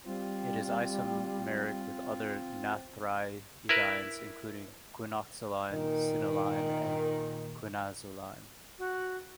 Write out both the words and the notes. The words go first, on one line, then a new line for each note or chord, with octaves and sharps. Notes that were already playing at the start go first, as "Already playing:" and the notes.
It is isomeric with other naphthyridines including quinoxaline, cinnoline and quinazoline.
G3 C4 F4
E4 A#4 B4
A#2 D#3
F#4